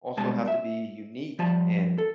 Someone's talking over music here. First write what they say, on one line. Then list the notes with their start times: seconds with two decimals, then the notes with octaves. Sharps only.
also have to be unique, and
0.17 B2 G3 G#3 A5
0.48 E5
1.39 F3 G3 A5
1.98 A4